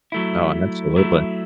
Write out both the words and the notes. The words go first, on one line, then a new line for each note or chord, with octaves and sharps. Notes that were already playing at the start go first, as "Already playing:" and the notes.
No, and absolutely.
F#3 A3 E4
F#3 A3 E4